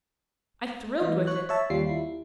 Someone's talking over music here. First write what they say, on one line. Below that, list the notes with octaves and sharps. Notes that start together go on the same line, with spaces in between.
I thrilled with it.
E3 D#5
C#5 F#6
C#5 E5 A5
D#2 G3 F4 C7
E4